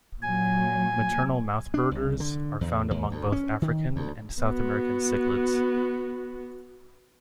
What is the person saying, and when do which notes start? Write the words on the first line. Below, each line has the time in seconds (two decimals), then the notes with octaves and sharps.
Maternal mouthbrooders are found among both African and South American cichlids.
0.22 A#2 F#3 G#5
1.74 D4
1.91 C2
2.20 D3
2.61 E2
2.91 D#2
3.11 D2
3.32 C#4
3.62 D#3
3.96 D2
4.42 B3 F#4